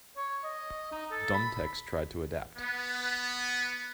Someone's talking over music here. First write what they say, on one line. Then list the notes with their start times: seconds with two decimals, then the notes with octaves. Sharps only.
Domtex tried to adapt.
0.17 C#5
0.44 D#5
0.92 D#4
1.11 A4
1.34 B5
2.57 B3